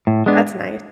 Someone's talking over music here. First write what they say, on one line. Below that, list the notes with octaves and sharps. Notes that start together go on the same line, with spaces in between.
That's nice
A2
G#3 B3 D4